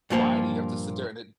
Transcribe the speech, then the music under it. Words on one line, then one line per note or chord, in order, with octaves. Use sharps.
Why do you have to sit there and then
G2 A#2 F3 A3 A#3